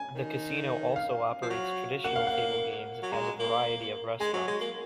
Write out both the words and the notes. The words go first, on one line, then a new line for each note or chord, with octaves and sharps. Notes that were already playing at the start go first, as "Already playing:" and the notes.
The casino also operates traditional table games and has a variety of restaurants.
Already playing: G#5
D#3
F5
F3
F#3
A#3 F#5
F5
F#5
F#3
G#3 A#5
A#3
G#3 G#5
F#3
G#3
A#3